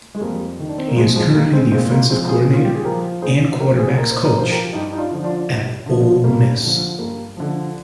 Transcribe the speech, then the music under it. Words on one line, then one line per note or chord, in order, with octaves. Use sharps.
He is currently the offensive coordinator and quarterbacks coach at Ole Miss.
G#3
F2 G3 A#3
D#3
D4
C4
A#3
F2 F3 G#3
F3 G#3
D#3 G3 A#3
G#3 C4
A#2 G#3 C4
G3 A#3
F3 G#3 C4
F4 G#4
A#2
F4
G4
G#4
F3 G4 A#4
A#2 G#4 C5
F3 G4 A#4
G#4 C5
A#2 A#4
C5
A#4
F3 C5
G4 A#4
G2 D#4 G4
D#4
D4 F4
D3 F3
D4 F4
G2
D3 F3
G2 G3 A#3
D3 F3
G2 G3 A#3
D3 F3